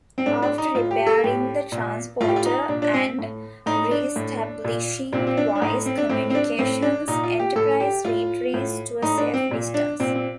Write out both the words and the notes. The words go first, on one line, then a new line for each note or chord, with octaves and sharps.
After repairing the transporter and reestablishing voice communications, "Enterprise" retreats to a safe distance.
C4
A2 D4
D4
D#4
A2 F4
G4
A4
A2 G4
A#2
A2 F4
G4
F4
D#4
A#2 D4
D4
C4
A2
A2 D#4
D4
A2
A#2
A#2 C4
C4
D4
D4
A2 D#4
C4
D4
A2 C4
C4
D4
A2 C4
D4
A#2 D#4
F4
G4
A2 A4
G4
A2 F4
A2
A2 D#4
D4
C4
A#2
D4
A#2 C4
C4